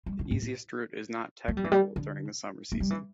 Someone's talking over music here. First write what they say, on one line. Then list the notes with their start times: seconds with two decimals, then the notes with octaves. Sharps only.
The easiest route is not "technical" during the summer season.
0.06 G3
0.19 D3
0.31 G2
0.42 A2
1.48 A3
1.57 G3
1.64 E3
1.72 G3
1.96 D3
2.72 A3
2.80 G3
2.90 E3